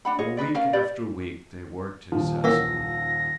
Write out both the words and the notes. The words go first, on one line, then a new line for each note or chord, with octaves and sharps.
For week after week they worked incessantly.
D4 F#5 B5
F4 G#4 C#5 D#5
D#4 G#4 B4 D5
C#4 A#4 D5 F5
G4 B4 D5
D#1 F3
E3 A#3 C#4 F5 F#5 E6 A#6